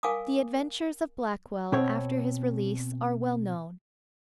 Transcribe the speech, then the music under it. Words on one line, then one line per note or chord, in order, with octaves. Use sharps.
The adventures of Blackwell after his release are well known.
A#4 F5 G#5 A5 D6 D#6
B2 C4 C#5